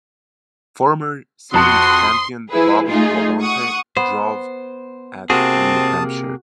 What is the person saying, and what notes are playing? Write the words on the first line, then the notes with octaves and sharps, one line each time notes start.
Former series champion Bobby Labonte drove at New Hampshire.
F2 F#4 A5 C6 D#6 C#7
F3 E4 G#4 B4
A3 D#4 F4 G#4
F#5 C#6 D#6
B3 C5
C3 A#3 C4 F#4 G#4 A5 D#6